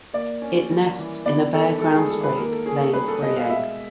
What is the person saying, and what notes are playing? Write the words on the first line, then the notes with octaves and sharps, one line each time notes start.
It nests in a bare ground scrape, laying three eggs.
A#3 D5
C#4
G3
E3
B3 D5
D#3 A4
G#3 A4
G#4
D#3 A4
B4
A#3 A#4
A4
C#4 G#4
A4
G3 B4
A4
B2 D#5
F5
G#3 E5